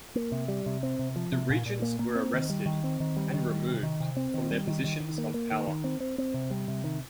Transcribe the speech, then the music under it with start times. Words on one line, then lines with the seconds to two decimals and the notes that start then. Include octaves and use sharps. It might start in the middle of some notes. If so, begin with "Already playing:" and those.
The regents were arrested and removed from their positions of power.
0.15 A#3
0.32 C3
0.48 G3
0.66 C3
0.83 C4
0.99 C3
1.16 F3
1.32 C3
1.50 A#2
1.66 A#2
1.82 A#3
1.99 A#3
2.16 C4
2.34 D#3
2.50 G3
2.66 D#3
2.84 C4
3.00 D#3
3.17 G3
3.34 D#3
3.50 G3
3.67 C3
3.83 D#3
4.00 C3
4.17 C4
4.34 D#3
4.51 G3
4.67 D#3
4.84 D#3
5.00 D#3
5.18 A#3
5.34 A#3
5.51 D#3
5.68 D#3
5.84 C4
6.00 C4
6.18 C4
6.34 C3
6.51 G3
6.68 C3
6.84 D#3